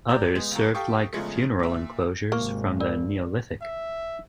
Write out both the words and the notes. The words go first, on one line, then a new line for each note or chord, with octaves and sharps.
Others served like funeral enclosures from the Neolithic.
G4 D5 A#5 G6
G#3 B3
C#2 F#2
G4 A4 F5 G5 C#6 D#6
E2 C#3 F3 G#3 A3
A#2 E5
G#1 C3 A#3 C#6
F4 A#4 D5
E5